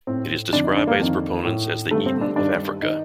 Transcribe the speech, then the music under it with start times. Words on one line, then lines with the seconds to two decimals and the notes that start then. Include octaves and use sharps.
It is described by its proponents as "The Eton of Africa".
0.07 A2 C4
0.53 F2 D3 D4
0.64 D#4
0.77 D4
0.87 A#3
0.99 F2 D#3
1.45 A2
1.91 G2 D3 A3
2.06 C4
2.21 D4
2.36 G2 D#3 D4
2.82 D#3 D#4